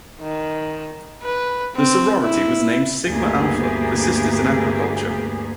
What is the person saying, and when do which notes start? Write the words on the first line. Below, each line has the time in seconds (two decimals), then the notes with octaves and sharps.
The sorority was named Sigma Alpha for Sisters in Agriculture.
0.21 D#3
1.24 B4
1.76 C4
2.22 E4
3.08 D2 G2 A#3 B3 G4 G#4